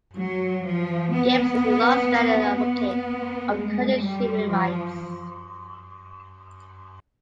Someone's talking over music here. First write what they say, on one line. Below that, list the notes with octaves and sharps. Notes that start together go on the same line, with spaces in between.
Gapes is a long-standing advocate of Kurdish human rights.
F#3
F3
B3
B3
G#3
G3
F3